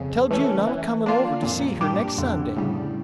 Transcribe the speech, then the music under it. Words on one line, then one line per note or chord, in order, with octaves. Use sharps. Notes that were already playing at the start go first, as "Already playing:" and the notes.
"Tell June I'm a-comin' over to see her next Sunday."
Already playing: F2 C#3
E3 A3 C#4
E3
A#3 D4 F4
F2 A#2
G2
G3 D4 G4
A#2
F2 D3
A2 C#3 G3